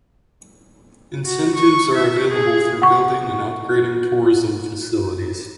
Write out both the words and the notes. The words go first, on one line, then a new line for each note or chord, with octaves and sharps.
Incentives are available for building and upgrading tourism facilities.
F#4
C#6
E5
G#4
F#5 C#6